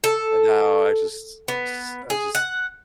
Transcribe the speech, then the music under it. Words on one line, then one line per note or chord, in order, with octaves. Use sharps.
and now I just just I just
A4
B3
G#4
F#5